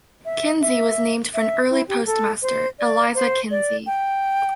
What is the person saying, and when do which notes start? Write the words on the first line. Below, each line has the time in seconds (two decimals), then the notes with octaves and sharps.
Kinsey was named for an early postmaster, Eliza Kinsey.
0.25 E5
0.61 E5
1.34 E5
1.70 E4
1.88 G4
2.06 A4
2.42 C5
2.79 D5
3.15 C5
3.51 D5
3.87 G5